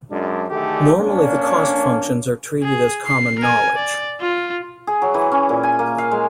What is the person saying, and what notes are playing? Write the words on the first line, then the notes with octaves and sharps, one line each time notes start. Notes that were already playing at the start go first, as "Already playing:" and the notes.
Normally the cost functions are treated as common knowledge.
F#2 G#3 D4
D2 D3 D#3 A3 G4 G#4
F2 A#3 C#4 D4
G#4
C7
A#4 G#5
D5
F4
G#4
F#3
E3
C#4
A#2
G#5
A#3
F5
G#3